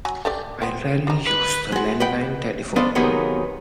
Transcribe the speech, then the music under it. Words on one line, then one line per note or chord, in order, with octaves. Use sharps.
I rarely use the landline telephone.
F#3 G#5
A3 G4 D5
B3 C4
G3 D#4
B4
G#3 F#4
B4 D#5 F#5 G5
B3 D4 C5 D#5 F5
C3 D#3 F#3 G#3 A#3 B3